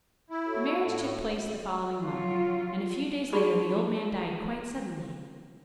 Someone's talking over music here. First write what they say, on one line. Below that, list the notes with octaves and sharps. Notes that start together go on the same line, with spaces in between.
The marriage took place the following month, and a few days later the old man died quite suddenly.
E4
F#4 A4 C#5
A2
F#3 F4
D#4 F#4 G#4 D5 B5 C#6